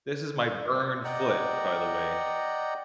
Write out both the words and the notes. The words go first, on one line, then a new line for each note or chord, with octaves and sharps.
this is my burned foot, by the way.
D5 D#5 F#5 G5 A#5